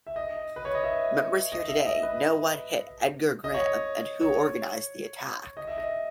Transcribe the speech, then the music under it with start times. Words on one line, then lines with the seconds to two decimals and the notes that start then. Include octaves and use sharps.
Members here today know what hit Edgar Graham, and who organised the attack.
0.07 E5
0.16 D#5
0.56 B4
0.65 C#5
0.75 D#5
0.84 E5
1.52 D#5
1.68 E5
1.86 D#5
2.03 B4
3.44 D#5
3.54 C#5
4.21 C#5
5.57 D#5
5.67 E5
5.78 D#5